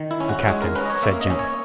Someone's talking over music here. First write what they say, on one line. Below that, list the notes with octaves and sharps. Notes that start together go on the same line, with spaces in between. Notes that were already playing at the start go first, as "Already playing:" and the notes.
The Captain said gently.
Already playing: D#3
E4
C#4
F#4
G#3 G#4
A#4
C#4 B4
D#5
C#5
A#3 E5
D#5
C#4
C#5